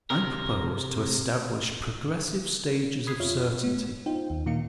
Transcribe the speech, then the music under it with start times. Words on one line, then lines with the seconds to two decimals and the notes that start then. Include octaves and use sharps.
I propose to establish progressive stages of certainty.
0.10 C3 A#4
3.07 B5 D#6 G#6 B6 C7
3.20 F2 F4 C#5 E5 F6
3.63 B3
4.06 D#4 F4 C5 G5
4.30 D#2
4.46 A#2 D#3 A#3 D#4 F5 C#7